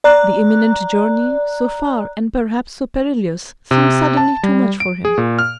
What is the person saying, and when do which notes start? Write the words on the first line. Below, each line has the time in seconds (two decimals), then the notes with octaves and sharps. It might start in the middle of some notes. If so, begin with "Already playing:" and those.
The imminent journey, so far and perhaps so perilous, seemed suddenly too much for him.
0.04 D5 A#5 F#6
3.71 C3
4.17 A5
4.43 G3
4.80 D7
5.05 G#4
5.18 A#2
5.39 F6